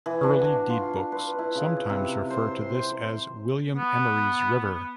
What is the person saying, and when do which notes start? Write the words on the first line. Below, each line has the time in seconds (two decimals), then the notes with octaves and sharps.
Early deed books sometimes refer to this as "William Emeries River".
0.06 E3
0.23 D4
0.40 F#4
0.69 F4
1.12 B4
1.39 E4
1.55 C#3
1.89 C3
2.30 C5
2.57 C6
2.75 C5
3.77 B3